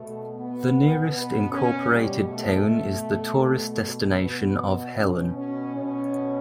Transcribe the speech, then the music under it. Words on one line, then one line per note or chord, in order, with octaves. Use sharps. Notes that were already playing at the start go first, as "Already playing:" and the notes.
The nearest incorporated town is the tourist destination of Helen.
Already playing: B2 A3
B3
B3
C#4
G3
A3
B2
B3
C#4
C#4
B2 C#4